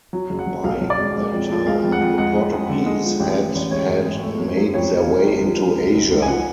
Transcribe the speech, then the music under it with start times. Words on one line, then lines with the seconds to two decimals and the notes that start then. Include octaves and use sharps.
By that time, the Portuguese had had made their way into Asia.
0.13 F#3
0.30 F#1
0.39 F#5
0.47 F#1
0.64 B1 F5
0.81 B1
0.90 D5
0.99 G#3
1.16 G#3
1.32 F2
1.49 F3
1.66 G#3 F5
1.84 F2
1.92 F#5
2.01 F2
2.18 G#3 F#5
2.35 G#3
2.52 G#3
2.69 D3
2.86 G#3
3.03 F3
3.20 A1
3.38 A1
3.55 A1
3.71 G#3 C#5
3.89 G#2
4.05 G#3
4.22 A3
4.40 F#2
4.57 F#2
4.74 F2 C#5
4.91 F1
5.00 F5
5.08 F1
5.26 G#1
5.42 F3
5.60 F#2
5.76 C#2
5.93 C#2
6.11 C#2
6.22 G#5
6.28 F3 F#5